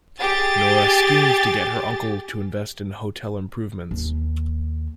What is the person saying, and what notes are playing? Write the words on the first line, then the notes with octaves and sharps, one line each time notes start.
Nora schemes to get her uncle to invest in hotel improvements.
G4 G#4 A6
D#2